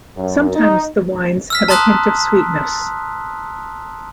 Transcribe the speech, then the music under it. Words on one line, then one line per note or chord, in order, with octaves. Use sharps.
Sometimes the wines have a hint of sweetness.
F#2
D#4
E6 F6 B6
A5 A#5 C6 D#6 F#6